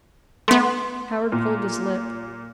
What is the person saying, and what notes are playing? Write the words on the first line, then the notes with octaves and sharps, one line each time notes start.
Howard pulled his lip.
A3 B3 C6
A#2